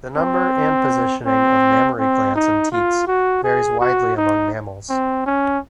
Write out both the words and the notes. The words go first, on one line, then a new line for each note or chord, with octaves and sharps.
The number and positioning of mammary glands and teats varies widely among mammals.
C4
C4
C4
D#4
F4
F#4
G#4
F#4
D#4
C4
C#4